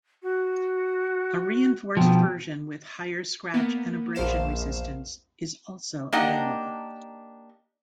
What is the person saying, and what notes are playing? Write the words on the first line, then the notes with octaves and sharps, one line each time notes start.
A reinforced version with higher scratch and abrasion resistance is also available.
F#4
B2 F3 G5
A#3 B3
A#1 E2 C5 F5 E7
A#3 D4 D#4 G4 D#5 F#5